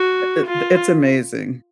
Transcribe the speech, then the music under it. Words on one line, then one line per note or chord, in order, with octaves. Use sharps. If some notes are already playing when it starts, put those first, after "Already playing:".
Eh, It Th It's amazing.
Already playing: F#4
F4